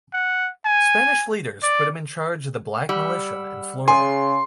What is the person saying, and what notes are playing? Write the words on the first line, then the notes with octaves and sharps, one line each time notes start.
Spanish leaders put him in charge of the black militia in Florida.
F#5
G#5
D5
G3 F#5 B5 E6
C#3 G#4 G#5 C6